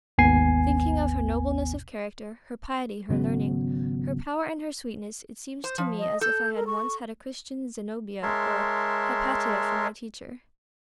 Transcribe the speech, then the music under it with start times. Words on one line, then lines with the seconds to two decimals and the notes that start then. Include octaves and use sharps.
Thinking of her nobleness of character, her piety, her learning, her power, and her sweetness, it seems to me as if I had once had a Christian Zenobia or Hypatia for my teacher.
0.18 G#1 D#2 B3 G#5 C7
3.09 G#1 C#3 F#3 B3
5.64 C5
5.78 F3
5.99 D#5
6.21 A4 G6
6.55 A#4
6.67 C#6
8.23 G#3 A#4 C#5 E5 A5 C6